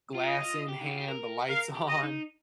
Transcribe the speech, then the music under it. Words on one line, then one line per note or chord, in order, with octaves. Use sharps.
glass in hand, the lights on?
F4
D#5
F4
G4
D#4
F4
G4
A#4
A#4 F5
G4
D#5
D#4